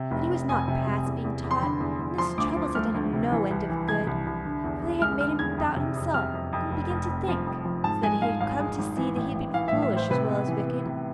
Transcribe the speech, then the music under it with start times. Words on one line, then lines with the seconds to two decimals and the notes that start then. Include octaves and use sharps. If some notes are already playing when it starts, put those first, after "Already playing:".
But he was not past being taught, and his troubles had done him no end of good, for they had made him doubt himself, and begin to think, so that he had come to see that he had been foolish as well as wicked.
Already playing: C3
0.11 F1
0.30 F1
0.49 F2 G#5
0.68 C3
0.87 C3
1.06 E2
1.24 E2
1.44 E2
1.51 C6
1.62 D3 B5
1.80 E2
2.00 E2
2.18 F3 C6
2.38 D2 D6
2.56 F3
2.75 A3 F6
2.94 D2
3.13 C3
3.32 E3
3.51 C2
3.69 E3
3.88 C2 G#6
4.07 C2
4.26 C2
4.45 D3
4.64 E2
4.82 E2
5.01 G#3 F6
5.20 D3 F6
5.39 E2 G#6
5.58 F2
5.76 C3
5.96 F2
6.14 C3 F6
6.34 F2
6.53 F2
6.71 F1
6.90 F1
7.09 F2
7.28 F3
7.46 F2
7.65 F3
7.84 G#2 A5
8.03 G#3 G#5
8.22 G#2 F5
8.41 G#1 F5
8.60 G#3
8.79 G#1
8.97 E3
9.16 A1
9.35 A1
9.54 E3 F5
9.68 A2 E5
9.82 E5
9.91 A2
9.96 C5
10.11 C3 B4
10.29 B3
10.48 E3
10.67 B3
10.86 C3